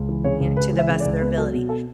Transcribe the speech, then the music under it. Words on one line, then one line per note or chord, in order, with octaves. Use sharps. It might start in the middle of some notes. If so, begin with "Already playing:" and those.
you know, to the best of their ability.
Already playing: C#2
E3
C#3 C#5
C#2
C#2 B4
E3
E5
C#3
D5
C#2
B3 B4
F#3 A4
B2
A4